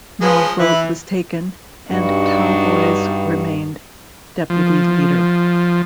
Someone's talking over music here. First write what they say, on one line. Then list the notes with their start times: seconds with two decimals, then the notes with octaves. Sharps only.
No vote was taken, and Talboys remained deputy leader.
0.21 F3 G#3 C#4 F4 G#4 B4
0.59 E3 E4 B4
1.91 G2 D4 D#4 F#4
4.50 F3